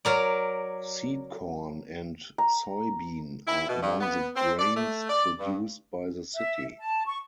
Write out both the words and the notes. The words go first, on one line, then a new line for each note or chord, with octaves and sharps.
Seed corn and soybean are among the grains produced by the city.
F#3 A#4 D5
A#5
E4
B2
G2
B3
C4
D5
A3
D5
G2
E5
A5
C#6